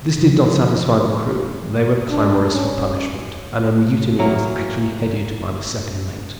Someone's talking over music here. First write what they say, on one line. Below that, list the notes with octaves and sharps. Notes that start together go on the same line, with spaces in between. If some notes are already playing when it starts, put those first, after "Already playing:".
This did not satisfy the crew; they were clamorous for punishment, and a mutiny was actually headed by the second mate.
C#3 E3 F3
D4
C#4
E3 F#3 A#3